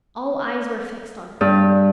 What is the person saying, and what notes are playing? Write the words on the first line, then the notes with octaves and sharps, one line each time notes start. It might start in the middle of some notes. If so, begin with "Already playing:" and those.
All eyes were fixed on him.
G2